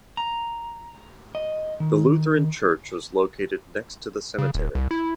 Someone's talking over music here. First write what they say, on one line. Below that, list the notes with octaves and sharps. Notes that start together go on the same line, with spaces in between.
The Lutheran church was located next to the cemetery.
A#5
D#5
D#3
C#3
D1
C2
E4